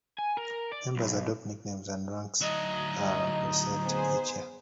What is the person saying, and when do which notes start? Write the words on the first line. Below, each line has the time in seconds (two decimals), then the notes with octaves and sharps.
Members adopt nicknames and ranks are reset each year.
0.19 G#5
0.37 A#4
0.72 D5
0.96 B1
2.42 D2 F#3 D#4 D#5
3.84 B3 G#4 C5